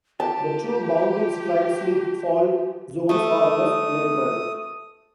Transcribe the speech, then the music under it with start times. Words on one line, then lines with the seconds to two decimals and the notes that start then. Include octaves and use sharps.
The two bounding strike slip fault zones are left lateral.
0.20 F4 G4 A5
3.09 A3 D#6